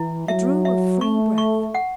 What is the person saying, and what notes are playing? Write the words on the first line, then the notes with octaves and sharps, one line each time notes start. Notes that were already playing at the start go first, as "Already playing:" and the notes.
He drew a free breath.
Already playing: E3 E4
F#3 E5
E5
A3 C#6
C#6
F#5